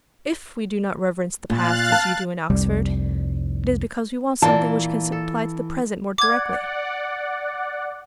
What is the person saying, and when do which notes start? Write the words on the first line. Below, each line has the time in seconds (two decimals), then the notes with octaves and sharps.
'If we do not reverence the past as you do in Oxford, it is because we want something which can apply to the present more directly.
1.50 A#2 F5 F#6 A6
1.92 A5
2.50 F1 C2 G3
4.42 A#2 E3 A#3 A5
5.12 A4
6.18 D5 F#5 D6 G#6